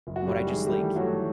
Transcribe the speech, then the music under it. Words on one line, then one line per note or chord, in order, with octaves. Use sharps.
But I just, like
F#1
F#4
F#2 G3 G4
F#2
D#3 G#3 G#4
G3 A3 G4
E3
F#3 A3 F#4
E3